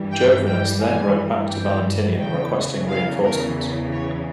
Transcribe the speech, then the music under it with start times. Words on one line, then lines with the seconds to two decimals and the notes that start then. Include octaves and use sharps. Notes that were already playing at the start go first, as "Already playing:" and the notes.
Jovinus then wrote back to Valentinian requesting reinforcements.
Already playing: G2 E3 G3
0.12 G5
0.46 G5
0.80 G#5
1.49 G5
2.18 E2 C#3 E3 G5
2.88 F5
3.22 A#4
3.91 C#5